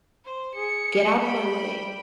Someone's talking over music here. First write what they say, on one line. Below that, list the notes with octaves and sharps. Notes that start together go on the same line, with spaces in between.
Get out of my way!
C5
G#4 C#7
G3 G5 B5